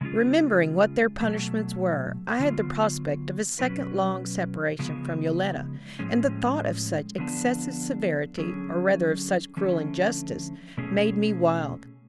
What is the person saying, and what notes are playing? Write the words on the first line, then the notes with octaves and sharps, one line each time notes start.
Remembering what their punishments were, I had the prospect of a second long separation from Yoletta, and the thought of such excessive severity, or rather of such cruel injustice, made me wild.
C#3 G#3 C#4 F4 G#4
B2 F#3 A3
D3 F#3 B3 F4
B2 F#3 C#4 F#4 B4
C#3 F3 G#3 B3
A2 F3 G#3 C#4
D3 F3 B3 D4
D3 F#3 C#4 G#4
D3 F3 A3 C#4
B2 A3 C#4 G#4